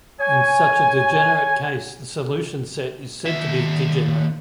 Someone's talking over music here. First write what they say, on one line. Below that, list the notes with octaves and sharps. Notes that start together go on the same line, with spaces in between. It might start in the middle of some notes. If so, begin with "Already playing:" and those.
In such a degenerate case, the solution set is said to be degenerate.
C#5 G#5
D#2 E5